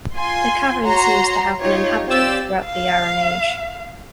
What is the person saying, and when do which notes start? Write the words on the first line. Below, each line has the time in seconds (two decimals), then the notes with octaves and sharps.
The cavern seems to have been inhabited throughout the Iron Age.
0.16 F4 G#5 C6
0.82 F#4 C#5 A#5 C6
1.59 D#4 F4 G4 C#5
2.06 C4 F4 G4 D5 E6 A6
2.66 F5